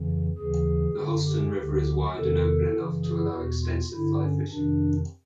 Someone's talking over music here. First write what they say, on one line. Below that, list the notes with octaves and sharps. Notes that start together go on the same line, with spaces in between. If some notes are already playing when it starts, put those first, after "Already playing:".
The Holston River is wide and open enough to allow extensive fly fishing.
Already playing: F2 C#3 E3
D#2 C#3 E3 G#4
F#2 D3
G4
D2 D3
E2 C3 D#3 A4
F#2 C#3 E3
G#4
E2 B2 F#4
F4
G2 D3 E4
C#4
F2 C3 D#3 D4